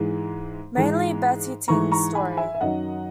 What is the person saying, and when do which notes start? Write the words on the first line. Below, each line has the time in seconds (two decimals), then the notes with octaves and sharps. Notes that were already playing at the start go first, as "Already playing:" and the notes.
Mainly Betty Ting's story.
Already playing: G#2 E3 G#3
0.76 G#2 E3 G#3
1.68 G#2 E3 G#3 A#5 C#6
1.92 A#5 C#6
2.15 G#5 B5
2.37 E5 G#5
2.55 E5
2.61 F#2 D#3 F#3 D#5 F#5